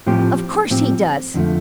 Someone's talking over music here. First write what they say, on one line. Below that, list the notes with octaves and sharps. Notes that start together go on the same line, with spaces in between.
Of course he does.
A2 F3 C4 G4
A2 F3 C4 G4
F2 D3 F3 A3